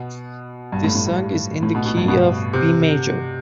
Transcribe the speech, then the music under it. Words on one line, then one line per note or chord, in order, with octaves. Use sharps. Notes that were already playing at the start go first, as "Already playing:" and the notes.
This song is in the key of B major.
Already playing: B2
G2
A2
A2
G2
A2
B2
B2
G2
B2
C3